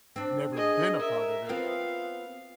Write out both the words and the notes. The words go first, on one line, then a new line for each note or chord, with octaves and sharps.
never been a part of it,
C4 D4
G#4 D#5
A#4 E5
B3 C4 F4 F5